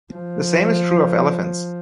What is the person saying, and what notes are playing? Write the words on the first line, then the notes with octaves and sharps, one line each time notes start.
The same is true of elephants.
F3